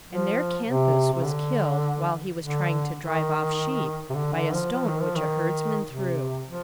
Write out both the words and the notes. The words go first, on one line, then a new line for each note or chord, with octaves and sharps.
And there Canthus was killed while he was trying to drive off sheep, by a stone which a herdsman threw.
F3
C3
C3
D3
D3
D#3
C3
D3
D3
F3
F3
D#3
F3
D#3
C3
F3